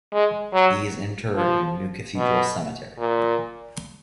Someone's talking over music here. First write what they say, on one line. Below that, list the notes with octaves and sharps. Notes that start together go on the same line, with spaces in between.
He is interred in New Cathedral Cemetery.
G#3
F#3
F3
B2
A#2